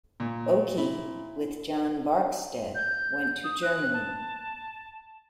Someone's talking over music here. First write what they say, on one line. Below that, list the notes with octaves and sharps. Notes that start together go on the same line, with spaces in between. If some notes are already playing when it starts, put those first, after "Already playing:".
Okey, with John Barkstead, went to Germany.
A#2
E4
G6
D#6
F#6
A5